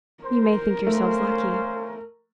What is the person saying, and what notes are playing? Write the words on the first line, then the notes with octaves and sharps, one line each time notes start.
'You may think yourselves lucky.'
A#4 C5
A3 C#4 C5 F5